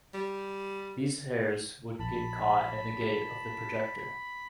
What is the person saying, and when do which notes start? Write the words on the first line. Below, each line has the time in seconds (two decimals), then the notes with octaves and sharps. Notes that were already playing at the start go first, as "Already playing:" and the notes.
These hairs would get caught in the 'gate' of the projector.
0.14 G3
2.00 A#1 A5 B5